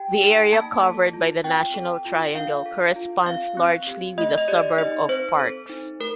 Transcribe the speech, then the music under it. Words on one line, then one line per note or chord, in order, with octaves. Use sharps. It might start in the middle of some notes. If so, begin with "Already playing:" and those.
The area covered by the National Triangle corresponds largely with the suburb of Parkes.
Already playing: G4 G5
D#4
A#3 A5
A4
F4
C4 G5
A4
F4
D4 F5
A4
F4
C4 F5
C4
G4
A3 D#5
D#5
G4 D5
D#4 D#5
C4 C5
A4
D#4
A3 A#4